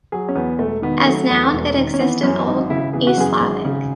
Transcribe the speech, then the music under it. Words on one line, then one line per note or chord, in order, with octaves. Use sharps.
As noun it exists in Old East Slavic.
F#3 G#4
C#4
E2 B3
E1 A3
D#3 B3
F#3 A3
E2
E1
D#3
C#4
E3 B3
F#2 C#4
G#1 D#4
C#3 E4
E3 G#4
F#4
F#2 G#4
G#1
C#3